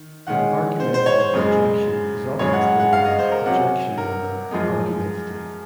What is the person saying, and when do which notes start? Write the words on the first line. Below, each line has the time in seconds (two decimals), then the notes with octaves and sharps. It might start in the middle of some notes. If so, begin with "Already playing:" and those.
An "argumentative" objection is often stated as "Objection, your Honor, argumentative.".
Already playing: D#3
0.27 D#3 G#3 C#4 F#5
0.80 C5
0.94 C5
1.06 C#5
1.20 C5
1.33 F#2 C#3 G#3
2.39 F#2 C#3 G#3 C#5
2.53 F#5
2.66 F#5
2.79 F#5
2.93 F5
3.05 D#5
3.19 C5
3.32 A#4
3.45 C3 F#3 C#4 F#5
3.98 A#4
4.51 F#2 F3 G#3 D#4